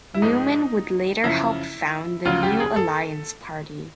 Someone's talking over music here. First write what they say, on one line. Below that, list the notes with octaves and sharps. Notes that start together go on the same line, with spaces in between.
Newman would later help found the New Alliance Party.
E4
G#2 F3 G#3 D#4
F#2 C#3 F3 E4
D2 C#3 F#3 F4
G4
G#4
A4